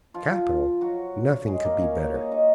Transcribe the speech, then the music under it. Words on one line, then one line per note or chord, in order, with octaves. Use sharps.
Capital; nothing could be better.
F3 F4
F#3 F#4
G#3 G#4
A#3 A#4
C#4 C#5
C#4 C#5
D#4 D#5
D#4 D#5